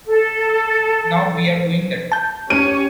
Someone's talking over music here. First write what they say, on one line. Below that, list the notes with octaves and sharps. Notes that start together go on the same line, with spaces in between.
Now we're doing that.
A4
A5 G6
C#4 G4 C#5 D#7